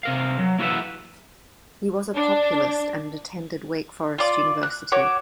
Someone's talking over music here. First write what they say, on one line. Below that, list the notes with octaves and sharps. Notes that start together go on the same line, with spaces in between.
He was a Populist and attended Wake Forest University.
C3 A#4 F5
F#3
A#3 E4 F#4 A#4 B4 E5
D4
F4 D5
F#6
F#4 C#5 D6